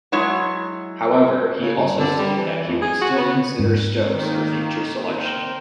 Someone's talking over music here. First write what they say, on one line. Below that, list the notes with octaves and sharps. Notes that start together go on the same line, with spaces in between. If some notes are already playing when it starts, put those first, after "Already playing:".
However, he also stated that he would still consider Stokes for future selection.
F#3 G#3 E4 C#5
C#3
G2
D3
G3
E3
F2
G#4
F#4
B3
G#2
D#3 A#3
A#4 C5 G5